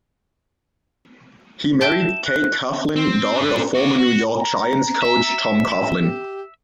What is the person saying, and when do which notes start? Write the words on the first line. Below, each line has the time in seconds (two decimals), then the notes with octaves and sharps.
He married Kate Coughlin, daughter of former New York Giants coach Tom Coughlin.
1.81 E5 G5 A5
2.00 E7
2.26 F#6
2.96 C4
3.35 D4 B4
3.74 F#4 D5
3.98 F#4
4.39 A#5
5.02 E5
6.00 G4